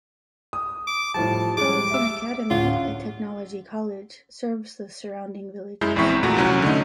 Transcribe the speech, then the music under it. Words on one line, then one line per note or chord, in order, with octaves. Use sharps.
Tarleton Academy, a Technology College, serves the surrounding villages.
D#6
D6
A2 F3 G3 A5
G3 G#3 D6
E5 E6
D1 C#4 F4 F#5
F#2 G#3 E4 G6
A#1 E2 C4 E4 C#6 B6
E2 A#2 A3 F#4 A#5
C2 F#3 C#4
D3 A3 D#4